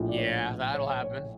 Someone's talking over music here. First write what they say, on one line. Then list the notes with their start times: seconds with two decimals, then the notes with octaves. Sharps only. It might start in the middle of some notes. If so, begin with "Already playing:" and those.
Yeah, that'll happen.
Already playing: A#1 A2 F3
0.09 D5
0.18 C#5
0.74 C#5
0.90 C#5
1.03 C#5